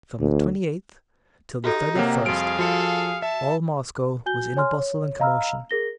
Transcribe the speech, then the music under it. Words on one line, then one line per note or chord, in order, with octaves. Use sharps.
From the twenty-eighth till the thirty-first all Moscow was in a bustle and commotion.
D2
D#4 F#4 G4 A4
C3 A#3 C#5 F#5 G5
F2 G3 F4 F#4 G#4 F5 D7
F3 F#4 A4 C#7
E5 A5
F#4 G#5 G6 G7
C#5 G#5 C6 F6
C#5
D#5 F5 A#5 B5 E6 F6
G#4 A#4 A#6 G7